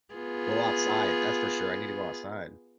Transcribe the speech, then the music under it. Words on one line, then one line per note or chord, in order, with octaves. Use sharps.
Go outside, that's for sure, I need to go outside.
B3 F4 G#4